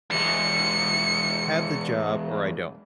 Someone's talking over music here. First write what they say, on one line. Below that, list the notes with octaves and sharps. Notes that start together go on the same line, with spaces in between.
have the job or I don't.
E2 G#3 C#7